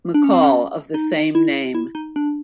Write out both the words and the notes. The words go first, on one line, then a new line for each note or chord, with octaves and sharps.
McCall of the same name.
D4
C#4
C4
C#4
D#4
E4
E4
D#4
D4